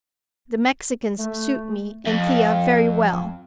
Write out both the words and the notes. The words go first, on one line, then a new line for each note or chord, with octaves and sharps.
The Mexicans suit me and Thea very well.
A3
F2